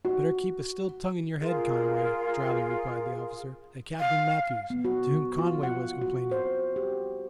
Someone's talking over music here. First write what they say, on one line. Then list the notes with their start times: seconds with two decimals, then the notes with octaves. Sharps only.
"Better keep a still tongue in your head, Conway," dryly replied the officer, a Captain Matthews, to whom Conway was complaining.
0.05 F#4
1.40 F4 G#4 A#4
3.98 F5
4.70 B3
4.85 F#4
5.38 F4
5.63 F#5
6.01 F#4
6.31 C5
6.76 G4